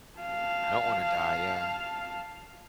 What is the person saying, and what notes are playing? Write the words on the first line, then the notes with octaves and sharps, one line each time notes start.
I don't wanna die yeah.
F5 A5